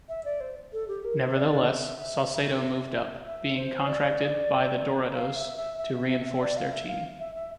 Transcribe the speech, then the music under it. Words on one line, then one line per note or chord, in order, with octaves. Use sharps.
Nevertheless, Saucedo moved up, being contracted by the Dorados to reinforce their team.
E5
D5
C5
A4
G4
A#4
C5
D5
E5
E5
E5
C5
D5
F5
E5
E5
E5
E5
E5
E5
D5
F5
E5
F5
E5
E5